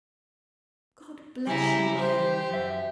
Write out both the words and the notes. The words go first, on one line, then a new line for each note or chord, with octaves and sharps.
"God bless you, my own!"
C#3 G3 E4 G#5 A#5
G4 C5
F#2 E5